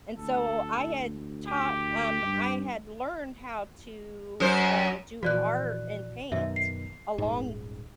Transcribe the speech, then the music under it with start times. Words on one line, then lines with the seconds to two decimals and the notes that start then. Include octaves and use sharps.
and so I had taught, um I had learned how to, uh, do art and paint a long,
0.17 D2 A4
1.48 G4
2.21 G2
4.40 F#2 C5
5.23 A#2 E3 F3 F#4 D5 F#6
6.32 F#2 B2 D#3 E5
6.56 C7
7.18 D#1 G#2